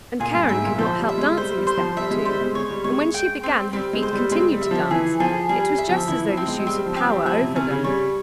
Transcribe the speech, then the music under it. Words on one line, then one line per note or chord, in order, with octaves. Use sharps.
And Karen could not help dancing a step or two, and when she began her feet continued to dance; it was just as though the shoes had power over them.
A#2 G#4
G2
G#2 E5
A#2
F3 C5
G3
E5
G#3
G3 C5
G3
C5
F3
G3 E5
G#3
G3 C5
G#3
G#3 C#5
G3
G#3 C#5
G#3
G5
C4
G3 C4
G#3
C5
G3
G#3 C4
G3
E5
F3
E3 G#4
F3 G#4
G3 G#4
G3
E5
F3
E3 E4
F3
C4
G#3
G#3
G3 C4
F3
C4
G3
F3 E4
C3
C3 C#4
C#3
G3 C#5